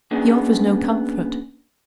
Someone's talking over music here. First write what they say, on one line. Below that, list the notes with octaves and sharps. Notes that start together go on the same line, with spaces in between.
He offers no comfort.
A#3 B3 C#4 D4 G#4